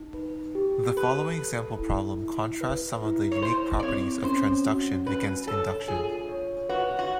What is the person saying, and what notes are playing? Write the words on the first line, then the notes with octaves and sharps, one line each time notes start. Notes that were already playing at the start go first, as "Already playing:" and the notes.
The following example problem contrasts some of the unique properties of transduction against induction.
Already playing: D#4
B4
G4
A4 B4
A4
E4
E4
B4
E4
C#5
E4 C5
D5
C4 C#5
C#4 C5
F#4
D4 B4
A4 C#5
F4 G#4
C#5
F#4 B4
F#4